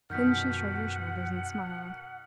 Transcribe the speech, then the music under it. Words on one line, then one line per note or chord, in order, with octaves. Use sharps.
Then she shrugged her shoulders and smiled.
F#2 B2 D#3 F3 F#5 F6 G6 B6